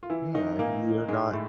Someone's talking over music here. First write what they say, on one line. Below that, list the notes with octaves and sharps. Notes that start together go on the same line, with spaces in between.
Yeah, and you are not
F4
E3 E4
D#3 D#4
A#2 A#3
G#2 G#3
A2 A3